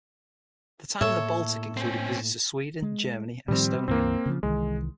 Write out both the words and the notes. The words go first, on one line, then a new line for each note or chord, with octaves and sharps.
The time in the Baltic included visits to Sweden, Germany and Estonia.
A2 A#3 A4 C#5 E5
C4 C#4
G#3
A2 D#3 F3 G3 C4
C#2 G2 E3 A#3 C4
C#3 F3
C2 D#3 E3 G#3